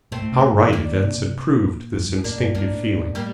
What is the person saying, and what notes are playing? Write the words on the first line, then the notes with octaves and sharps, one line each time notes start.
How right events had proved this instinctive feeling.
A#2 A3 C4
A2
C3
C3
D3
D#3
A#3 D4
C3
C3
A#2
F2
G2
G2
A2 A#3 D4
G2
G2 A#3 D4
A2
G3 A#3